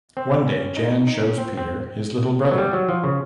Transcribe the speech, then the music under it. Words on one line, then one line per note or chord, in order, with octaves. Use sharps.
One day Jan shows Peter his little brother.
C4
C#4
D#4
D#4
D#4
C#4
C4
C4
F#3
G3
F#3
F3
C#3